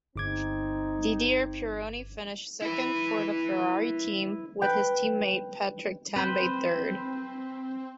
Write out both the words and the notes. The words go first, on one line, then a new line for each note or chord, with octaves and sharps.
Didier Pironi finished second for the Ferrari team with his teammate Patrick Tambay third.
G1 C4 D#4 D6 G#6
E4 B4
B4 G5
C4 B4 C5